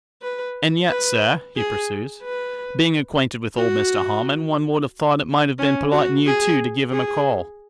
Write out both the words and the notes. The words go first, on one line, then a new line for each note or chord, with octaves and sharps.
'And yet, sir,' he pursues, 'being acquainted with old Mr Harmon, one would have thought it might have been polite in you, too, to give him a call.
B4
B4
G#4
B4
F#4
C#4
F#4
G#4
G#4